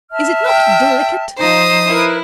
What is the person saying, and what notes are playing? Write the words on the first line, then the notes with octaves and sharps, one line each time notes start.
Is it not delicate?
E5 A5 F6
G5
F3 D#4 C5 D#6
E4 A#4 B4